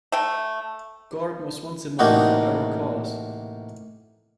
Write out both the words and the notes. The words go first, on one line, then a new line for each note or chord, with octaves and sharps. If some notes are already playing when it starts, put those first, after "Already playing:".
Gordon was once a model for Arrow Collars.
A3 G5
A1 C3 A#3 D4 D#4 F#4